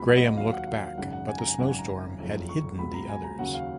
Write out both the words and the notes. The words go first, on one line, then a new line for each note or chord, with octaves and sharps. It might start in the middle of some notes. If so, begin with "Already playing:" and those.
Graham looked back, but the snowstorm had hidden the others.
Already playing: C#2 B2 F#3 B5
F#5
D#5
D#5
D#2 D#3 F#3 F5
F#5
F5
F5
G#1 F#2 C#3 F#5
F#5
G#5
A#5
G#5
G#1 F#2 C#3 F#5
G#5
A#5
F#1 F2 F3
C#6
C#2 B2 F#3 B5
A#5
G#5
A#5
D#2 C#3 F#3 F#5
F5